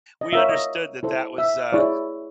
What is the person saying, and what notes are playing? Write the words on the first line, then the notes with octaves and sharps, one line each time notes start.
we understood that that was, uh,
D#5
F4 A#4 C#5 E5
D#5
E4 A4 C5
E5
E4 G#4 C#5 D5